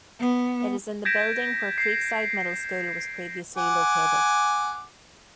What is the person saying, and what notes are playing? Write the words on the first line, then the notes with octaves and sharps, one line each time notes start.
It is in the building where Creekside Middle School was previously located.
B3
G6 G#6 A#6 B6 D7 E7
C7
F#5 G#5 D6